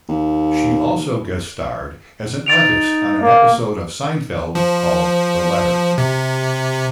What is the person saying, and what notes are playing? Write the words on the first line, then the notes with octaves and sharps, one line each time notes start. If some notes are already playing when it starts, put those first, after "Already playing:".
She also guest-starred as an artist on an episode of "Seinfeld" called "The Letter".
D#2
D#4 A6 D7 F7
A#3
F3
C3